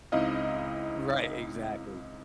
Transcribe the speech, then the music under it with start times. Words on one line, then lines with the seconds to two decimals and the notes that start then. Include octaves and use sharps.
Right, exactly.
0.12 C#2 C4 D#4 E4 D#5 F5